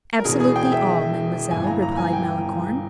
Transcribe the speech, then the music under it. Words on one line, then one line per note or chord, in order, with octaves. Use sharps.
"Absolutely all, mademoiselle," replied Malicorne.
A#4
E1 E2 B2 G#4
G#4
G5
E5
G1 G2 E3 A#3 G#5
A#5
A#5
G#5
G5